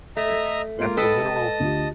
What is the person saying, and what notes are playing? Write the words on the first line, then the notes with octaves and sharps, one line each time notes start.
It's that's the literal
A3 D#5 E5 A#5
G#3 A#3 F4 D7
A4 B4 D#5 G5 A5 D#6
D2 F4 G4